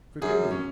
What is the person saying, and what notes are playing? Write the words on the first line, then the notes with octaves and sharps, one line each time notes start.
Forgive me!
F#2 G#4
C#4